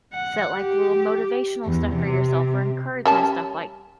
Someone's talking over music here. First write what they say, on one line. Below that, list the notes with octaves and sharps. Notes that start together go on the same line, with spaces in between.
set, like, little motivational stuff for yourself or encouragement stuff, like
F#5
G4
E2
C3
G3 C#4 A5